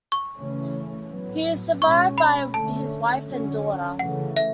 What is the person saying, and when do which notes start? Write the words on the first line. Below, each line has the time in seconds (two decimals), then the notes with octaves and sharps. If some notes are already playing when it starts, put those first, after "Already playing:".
He is survived by his wife and daughter.
0.12 C#6
0.36 C#3 E3 A3 C#4
1.09 A2 F#3 B3
1.82 B2 G#3 C#4 C#6
2.18 B5
2.54 D3 A3 C#4 A5
3.27 D3 F#3 C#4
3.99 C#3 E3 A3 F#5
4.37 E5